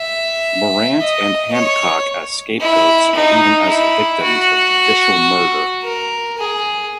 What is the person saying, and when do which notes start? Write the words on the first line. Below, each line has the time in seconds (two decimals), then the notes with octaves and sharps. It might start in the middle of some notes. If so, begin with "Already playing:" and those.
Morant and Handcock as scapegoats or even as the victims of judicial murder.
Already playing: E5
1.00 D#5
1.53 C#5
2.60 E4
3.15 D#4
3.69 E4
4.22 F#4
5.83 A#4
6.37 G#4